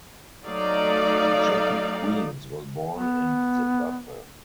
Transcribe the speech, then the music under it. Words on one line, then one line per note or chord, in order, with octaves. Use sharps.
Jackie Queens was born in Zimbabwe.
F#3 A3 D#4 D5 F5
B3